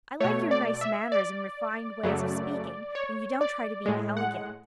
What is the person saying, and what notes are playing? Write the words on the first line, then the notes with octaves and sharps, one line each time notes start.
I like your nice manners and refined ways of speaking, when you don't try to be elegant.
B2 A3 C#5
D5
E5
D5
F#2 C#3 F#3 A3
C#5
D5
A2 G#3
F#5